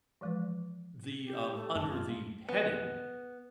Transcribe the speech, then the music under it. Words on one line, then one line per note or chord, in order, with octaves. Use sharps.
the um, under the heading
E3 F3 G#3 A3 B4
G4
A3
F#2 G3 A5
F4
B3